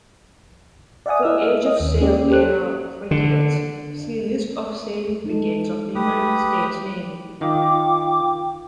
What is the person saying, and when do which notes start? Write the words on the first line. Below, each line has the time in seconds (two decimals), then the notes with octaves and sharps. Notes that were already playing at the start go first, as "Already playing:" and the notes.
For age-of-sail era frigates, see List of sailing frigates of the United States Navy.
1.06 D5 E5 F#5 G#5 D#6
1.22 E4 D#5 E6 F6
1.66 D#5
1.80 D#2
2.01 A#3 C#4 G4 D5
2.31 G4 A4 C5 F#6
3.11 D3
5.24 G#3 D#4 A4
5.95 A3 G4 B4 D#6
7.41 D#3 F4 F5 G5 D6